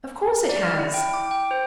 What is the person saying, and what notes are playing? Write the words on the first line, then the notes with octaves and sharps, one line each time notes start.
"Of course it has."
D5
F6
E4
G5
D6
G5
C5